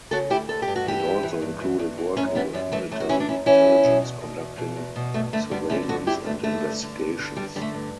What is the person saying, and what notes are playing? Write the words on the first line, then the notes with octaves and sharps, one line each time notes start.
It also included working with military intelligence conducting surveillance and investigations.
C#3 F#4 A4
D2 E4 G4
D2 A4
G4
G2
F#4
E3 E4 G4
G2
E3
G2
E3
G2
E3
F#2 A3 C#4
E3 G3 B3
F#2 G3
E3 A3
F#2 A3
F#4
E3 C#4 E4
D4
F#2 C#4 E4
E3 C#4 E4
E2
B2
E2
B2
E2
B2
E2
B2
G2 A3
D3 A3
G2 G3 B3
D3 A3 C#4
G2 F#4 A4
D3 E4 G4
G2 A3
D3 A3
G2
D3
G2
D3
G2 G3
D3 G3
A3
G2